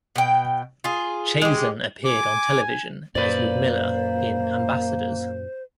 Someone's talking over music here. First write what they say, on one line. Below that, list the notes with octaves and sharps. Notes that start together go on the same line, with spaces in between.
Chazen appeared on television as Ludmilla in "Ambassadors".
B2 G5
F4 G#4
G#3 G4
G#5 D6
F#2 A#2 A#3 B4 C5 D5